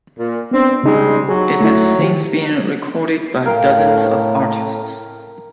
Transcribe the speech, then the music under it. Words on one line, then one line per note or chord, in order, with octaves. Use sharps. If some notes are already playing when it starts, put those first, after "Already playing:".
It has since been recorded by dozens of artists.
A#2
B3 C4 D4
C#3 G3 G#3 D#4
F#3 G#4
A3 E4
D#3 G4
A2 A#4 F5 G5